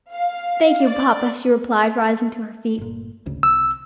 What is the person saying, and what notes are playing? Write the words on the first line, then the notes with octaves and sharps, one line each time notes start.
"Thank you, papa," she replied, rising to her feet.
F5
D5
G1 A#2
G#1 D2 C#3
C2 E6